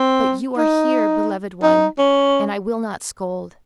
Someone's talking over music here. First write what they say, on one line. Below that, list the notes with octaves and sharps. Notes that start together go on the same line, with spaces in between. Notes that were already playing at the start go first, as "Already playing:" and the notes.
But you are here, beloved one, and I will not scold.
Already playing: C4
D#4
D#4
C#4